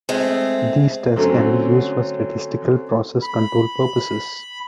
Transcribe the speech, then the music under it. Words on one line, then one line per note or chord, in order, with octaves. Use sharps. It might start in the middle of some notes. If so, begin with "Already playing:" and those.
These tests can be used for statistical process control purposes.
G#3 A3 C4
D3 F#3 A3 C4 C#4
B5